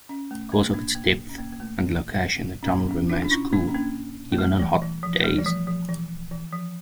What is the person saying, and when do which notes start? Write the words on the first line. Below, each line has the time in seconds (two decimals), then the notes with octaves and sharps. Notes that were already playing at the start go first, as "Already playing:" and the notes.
Because of its depth and location, the tunnel remains cool even on hot days.
0.09 C#4
0.31 A3
0.52 A#3
0.74 A#3 D4
0.95 A#3
1.29 C#4
1.38 A#3
1.53 A#3
1.60 A3
2.63 C#4
2.67 A#3
2.89 C#4
3.10 D4 F4
3.24 D4
3.31 C#4 E4
3.53 A#3 D4
3.68 C#4
3.74 A#3 D4
4.32 A3
4.38 G3
4.60 E3
4.82 E3
5.03 F3
5.20 A3
5.24 G3
5.38 E3
5.46 F3
5.67 F3
5.89 E3
6.31 E3
6.53 F3